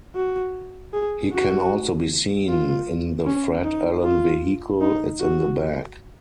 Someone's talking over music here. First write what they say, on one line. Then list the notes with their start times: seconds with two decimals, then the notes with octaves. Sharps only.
He can also be seen in the Fred Allen vehicle, It's in the Bag!
0.16 F#4
0.93 G#4
1.32 F#4
2.48 F4
3.26 C#4
3.65 D#4
4.04 F4
4.81 D#4
5.20 F#4